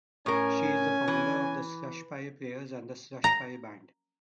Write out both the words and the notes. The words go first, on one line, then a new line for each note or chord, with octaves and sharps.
She is the founder of the Slushpile players and Slushpile band.
A2 C#4 A#4 G#5
E3
A#5